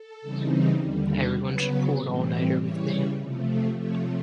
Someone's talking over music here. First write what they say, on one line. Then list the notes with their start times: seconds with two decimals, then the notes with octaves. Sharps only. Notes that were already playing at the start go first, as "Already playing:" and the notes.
Everyone should pull an all nighter with me.
Already playing: A4
0.22 C#3 E3 G3 C4 D#4
0.81 D#2 D3 G3
1.40 C#3 F#3 B3 B4
2.00 A2 E3 G3 C4
2.59 C#3 E3 G3 C#5
3.19 C3 F3 A3
3.78 C3 F3 A3 C#5